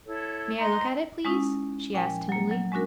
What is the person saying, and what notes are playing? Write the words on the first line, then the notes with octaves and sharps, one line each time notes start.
"May I look at it, please?" she asked timidly.
E4 A4 C#5
D#4 D#5 A#5 C6
G#3 C#4 D#4 E4
A#2 F3 G5 G#5
F#3 A#3
F#3
G#3 C#4 D4 F#4 A#4